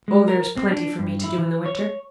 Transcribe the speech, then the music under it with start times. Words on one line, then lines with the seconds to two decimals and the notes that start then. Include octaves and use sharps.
Oh, there is plenty for me to do in the winter.
0.08 G#3
0.28 A#4
0.56 C4
0.71 D4
0.99 G2
1.24 E4
1.38 E3
1.66 C#5